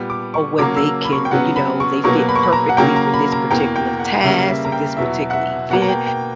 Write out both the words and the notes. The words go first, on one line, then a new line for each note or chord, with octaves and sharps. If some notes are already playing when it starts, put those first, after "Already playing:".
or where they can, you know, they fit perfectly for this particular task or this particular event.
Already playing: A#2 G3 B3
D6
C#6
C#3 F#3 A#3 D6
E6
B5
C#6
G5
C#3 F#3 B3 F#5
B5
C#6
B2 F#3 A#3 C#6
B5
C#6
B5
A#5
F#5
C#3 F#3 A#3 G5
A#5
B5
A#5
E2 B2 A#3 G5
G5
F#5
C#3 G3 A#3 E5
E5
A#5
G5
E2 B2 F#3 E5
F#5
E5
B2 A#3 F#5
A#5
G5
G5